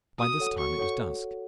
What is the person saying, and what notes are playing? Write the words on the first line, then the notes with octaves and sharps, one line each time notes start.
By this time it was dusk.
F#4 D#6
A4 C#5 F#5
F#4 C#6
A4 C#5 F#5